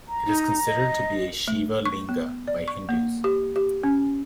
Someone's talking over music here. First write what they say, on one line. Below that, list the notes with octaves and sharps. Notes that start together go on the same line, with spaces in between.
It is considered to be a Shiva Linga by Hindus.
A#5
D#4
D#5
A3
C#6
B3
D5
C#6
A#3
G4
G4
C#4